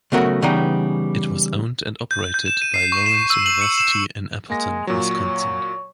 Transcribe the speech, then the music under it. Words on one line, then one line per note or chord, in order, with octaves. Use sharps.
It was owned and operated by Lawrence University in Appleton, Wisconsin.
C#3 F#3 A3 B3 F#4 A#4
C#3 E3 G3 B3 D#4 G5
G6
G6
E7
D#7
C7
C#6
E7
E6
F#7
C#7
E7
G#3 A#3 A#6
A#2 F#3 C#5